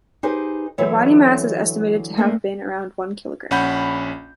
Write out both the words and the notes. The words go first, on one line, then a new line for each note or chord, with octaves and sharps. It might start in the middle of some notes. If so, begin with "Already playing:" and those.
The body mass is estimated to have been around one kilogram.
D#4 G4 G#4 B4 C5
D3 E3 F#3 C#5 E5
A3 A#3 C4 D4
A#1 C#4 F#5 B5 G6